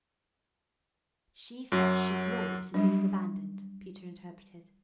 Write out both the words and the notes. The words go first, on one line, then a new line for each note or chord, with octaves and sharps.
'She says she glories in being abandoned,' Peter interpreted.
F#2 F#3
F#3 G3 D4